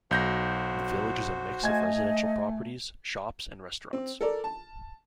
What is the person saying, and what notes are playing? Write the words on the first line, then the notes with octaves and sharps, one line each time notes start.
The village is a mix of residential properties, shops and restaurants.
B1 F#4 C5 G6 A#6
A3 D#5 G#5 G#6
C4
A4 A#4 D5
A5